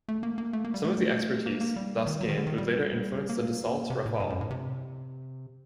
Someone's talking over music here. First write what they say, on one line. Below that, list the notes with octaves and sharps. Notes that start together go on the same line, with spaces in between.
Some of the expertise thus gained would later influence the Dassault Rafale.
A3
A#3
A#3
A3
A#3
G3
A3
A#3
A#3
G3
D#3
F#3
D#3
D3
D#3
G3
A#3
C3
A2
G2
F#2
A2
C3